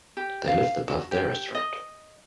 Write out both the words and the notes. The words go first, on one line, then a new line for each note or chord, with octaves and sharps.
They lived above their restaurant.
G4
F5
F#4
G4
D#5